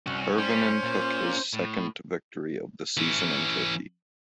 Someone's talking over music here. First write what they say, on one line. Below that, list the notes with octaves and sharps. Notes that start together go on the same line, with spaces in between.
Hirvonen took his second victory of the season in Turkey.
C2 C#4 F#4
G3 C#4 C5
A#2
A2
E3 C#4